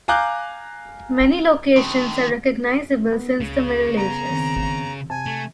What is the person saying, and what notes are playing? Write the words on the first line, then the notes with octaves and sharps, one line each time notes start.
Many locations are recognizable since the Middle Ages.
F5 G#5 A#5 D6 F#6 G6
D3 D#3
B3
C#2 C#3
B3 A#5
D#3 C4
C3 G#5 A5
A3